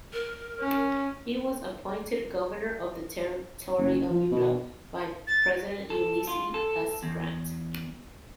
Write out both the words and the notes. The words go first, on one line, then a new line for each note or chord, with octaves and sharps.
He was appointed governor of the territory of Utah by President Ulysses S. Grant.
A#4
C#4
F#1
F3
B2
A6
A4
F4
A4
E2